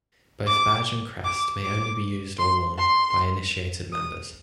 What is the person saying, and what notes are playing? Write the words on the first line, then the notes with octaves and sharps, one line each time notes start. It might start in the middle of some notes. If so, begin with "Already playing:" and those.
Both badge and crest may only be used or worn by initiated members.
D6
D6
D6
C6
C6
D#6